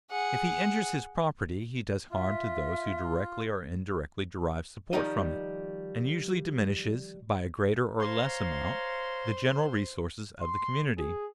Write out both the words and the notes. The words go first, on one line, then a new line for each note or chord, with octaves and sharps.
If he injures his property, he does harm to those who directly or indirectly derived support from it, and usually diminishes, by a greater or less amount, the general resources of the community.
G#4 F#5
F4 E5
D#3 F3 G3 D#4 D#5
C5 C#5 F5 A#5 C6
C6
G#4